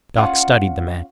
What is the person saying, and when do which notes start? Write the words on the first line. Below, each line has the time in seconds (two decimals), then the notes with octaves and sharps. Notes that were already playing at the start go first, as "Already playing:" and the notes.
Doc studied the man.
0.16 C#4 F4 F5 F#5